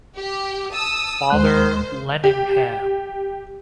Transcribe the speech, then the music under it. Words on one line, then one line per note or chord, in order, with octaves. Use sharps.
Father Lenihan.
G4
A5 D#6 E6
D#2 G#3 C5 F#6
G4